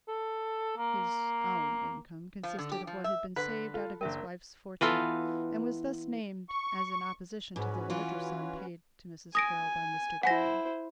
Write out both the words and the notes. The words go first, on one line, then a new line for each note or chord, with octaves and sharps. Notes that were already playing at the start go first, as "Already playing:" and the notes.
His "own" income consisted of what had been saved out of his wife's fortune, and was thus named as in opposition to the larger sum paid to Mrs. Carroll by Mr. Grey.
A4
A#3
F3
D3
G4
F3
E5
D3 B4
F4 A4
F#1 D4 A#4 E5 G5
E3 B3 F4 A4
C#6
G#2 C#4 F#4 B4
E3 F4
G#5 D#6 A#6 D7
E4 C5 F#5 G#5 A#6